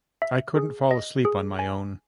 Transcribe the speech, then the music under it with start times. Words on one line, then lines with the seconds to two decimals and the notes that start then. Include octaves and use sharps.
I couldn't fall asleep on my own.
0.22 E5
0.56 G#4
0.91 D#5
1.25 G#4
1.59 G#5